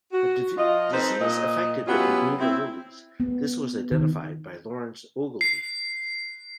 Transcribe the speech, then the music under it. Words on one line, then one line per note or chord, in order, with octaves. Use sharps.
A disease affected the Bermuda lilies: this was identified by Lawrence Ogilvie.
F#4
F3 F4 D#5
C4 D#4 A4 B4 C5
A#2 D#5
F#3 B3 C#4 E4 F4 G4
C4 E4
B3
D#3
C7